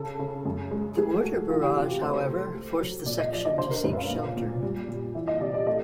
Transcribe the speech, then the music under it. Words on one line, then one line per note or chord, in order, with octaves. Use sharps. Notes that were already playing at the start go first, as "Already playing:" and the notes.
The mortar barrage, however, forced the section to seek shelter.
Already playing: C#3 A4
C#3
F#2
G#3
A3 G#4
A3 F#4
E3 F4
G4
C3 F4
F#4
A3 C5
A3
A3
F#3
A#2 D5
D#5
F3 D5
D#5
D3 C5
A#4
F#2 B4
E5
F5
A#2
A#2
G3
A#2
E3 E5
D#5
C3 D5
D5
A3 D#5